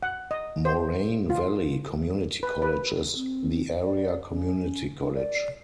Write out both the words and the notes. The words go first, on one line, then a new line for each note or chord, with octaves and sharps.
Moraine Valley Community College is the area community college.
F#5
D#5
C5
F4
B4
B4
C4
D5
C#4
D4
D5